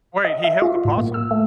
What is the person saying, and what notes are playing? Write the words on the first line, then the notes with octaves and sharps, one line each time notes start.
Wait, he held a possum?
D#5
E5
F4
A2
A#3
E6
A3